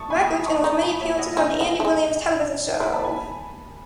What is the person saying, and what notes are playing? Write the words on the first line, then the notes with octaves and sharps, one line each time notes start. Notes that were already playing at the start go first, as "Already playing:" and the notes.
Records and with many appearances on the Andy Williams television show.
Already playing: A5 C#6 D#6
G#5 B5
B5 D#6
A5 C#6
D#6
D#4 A5 C#6
G#5 B5
C#5 E5
D#5 F#5
C#4 E5 G#5
B3
A3
G#3
F#3 B5
A5
G#5 B5